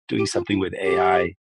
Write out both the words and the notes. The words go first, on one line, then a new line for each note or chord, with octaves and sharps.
doing something with AI,
G4
F4
E4
G4